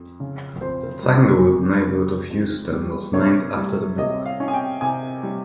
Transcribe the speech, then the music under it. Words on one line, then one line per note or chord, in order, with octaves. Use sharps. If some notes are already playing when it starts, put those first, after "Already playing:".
The Tanglewood neighborhood of Houston was named after the book.
Already playing: F2
C#3
F2 C5
G3
F2
C#3
F2
G3
C3 C#5
G3
C3 D#5
F5
C#4
G#5
G5
C3 G#5
G3